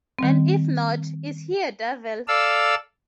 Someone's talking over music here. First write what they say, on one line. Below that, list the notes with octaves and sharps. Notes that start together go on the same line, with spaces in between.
And if not, is he a devil?
D#3 G3 C4
A4 D5 F5 E6